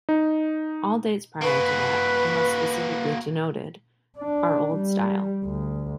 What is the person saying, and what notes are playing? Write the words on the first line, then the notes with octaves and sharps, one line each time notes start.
All dates prior to that, unless specifically denoted, are Old Style.
D#4
A#3 F#4 B4
D4
G3
D2